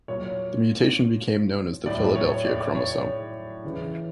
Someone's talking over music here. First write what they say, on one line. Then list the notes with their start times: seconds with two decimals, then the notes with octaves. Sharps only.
The mutation became known as the Philadelphia chromosome.
0.08 A#2 F#3 C#5
1.86 A2 F#3 D5
2.16 C#5
2.45 D5
2.75 C#5
3.64 C#3 E3